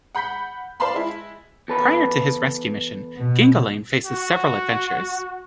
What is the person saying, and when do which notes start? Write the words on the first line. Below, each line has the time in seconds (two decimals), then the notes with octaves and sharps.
Prior to his rescue mission, Gingalain faces several adventures.
0.15 F#5 B5 G6 B6
0.80 C5 D5 F5 A5 B5 C6
0.94 G#3 E4
1.68 E2 A4 B4
3.17 B2
4.06 F#4